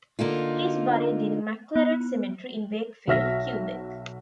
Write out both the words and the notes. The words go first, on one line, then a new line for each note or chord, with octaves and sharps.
He is buried in Maclaren Cemetery in Wakefield, Quebec.
D3 A#3 D#4 F4
B3
B1 F#4 E5 F6 A#6 B6